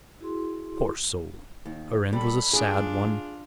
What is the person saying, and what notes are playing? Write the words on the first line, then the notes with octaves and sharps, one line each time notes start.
Poor soul! her end was a sad one.
E4 F#4 G#4 C6
D#2
G3 A4 B5
D4 F4 G#4